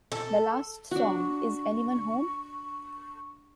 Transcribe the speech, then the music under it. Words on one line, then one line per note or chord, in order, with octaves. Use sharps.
The last song, Is Anyone Home?
A4
D4 F#4 C#6